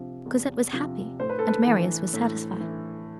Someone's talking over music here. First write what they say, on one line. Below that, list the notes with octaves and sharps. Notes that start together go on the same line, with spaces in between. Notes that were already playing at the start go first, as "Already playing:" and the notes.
Cosette was happy, and Marius was satisfied.
Already playing: C3 F3
E2
C3 F3
A2 C5
B4
A4
B4
E3
A2
E3